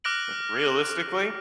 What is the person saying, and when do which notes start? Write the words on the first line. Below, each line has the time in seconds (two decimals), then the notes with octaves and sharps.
Mm. Realistically?
0.04 D6 F6 F#6 A#6 D7 F#7